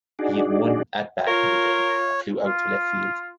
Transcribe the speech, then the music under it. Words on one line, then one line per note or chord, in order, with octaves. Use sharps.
He had one at-bat in the game, and flew out to left field.
D4 D#4 F#4 G#4 D5
F4 A#4 C#5
F4